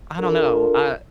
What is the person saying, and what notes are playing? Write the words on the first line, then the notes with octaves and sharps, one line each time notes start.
I don't know. I
D4 F4 A4 A#4